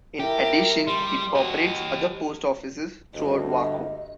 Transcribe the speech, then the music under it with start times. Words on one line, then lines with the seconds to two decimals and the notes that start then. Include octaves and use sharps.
In addition, it operates other post offices throughout Waco.
0.20 E4 G4 A#4
0.87 G3 C6
1.35 F#4 G4 D#5
3.14 D2 G2 D#5